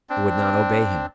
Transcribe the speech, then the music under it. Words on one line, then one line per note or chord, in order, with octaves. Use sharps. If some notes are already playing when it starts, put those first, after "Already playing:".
It would not obey him.
C4 D4